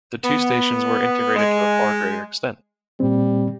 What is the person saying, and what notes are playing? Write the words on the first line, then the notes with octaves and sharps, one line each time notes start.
The two stations were integrated to a far greater extent.
B3
G#3
A#2 G3 C4